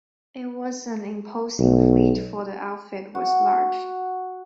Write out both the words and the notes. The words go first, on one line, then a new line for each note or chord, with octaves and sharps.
It was an imposing fleet for the outfit was large.
B1
F#4